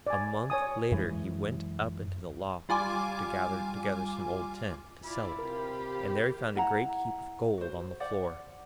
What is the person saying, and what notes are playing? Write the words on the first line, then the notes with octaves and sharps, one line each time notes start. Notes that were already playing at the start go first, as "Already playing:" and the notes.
A month later he went up into the loft to gather together some old tin to sell it, and there he found a great heap of gold on the floor.
D5 G#5
C#5 G#5 D#6
F#2 E3 G#3
G3 F4 G#5 D6
E4 F4 D5 B5
C3 F4 G4 A#4
E4 F#5 A#5
F#4 C5
C5 D5 F#5